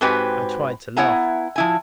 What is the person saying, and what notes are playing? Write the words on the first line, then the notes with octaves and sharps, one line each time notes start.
I tried to laugh.
G#2 C4 F#4 G4 B4 G#5
B3 E4 F#5 G#5 A#5
F3 E4 G#5